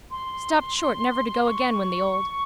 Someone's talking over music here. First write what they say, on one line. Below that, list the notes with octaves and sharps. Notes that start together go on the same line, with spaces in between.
Stopped short never to go again when the old.
C6
C#6
C#6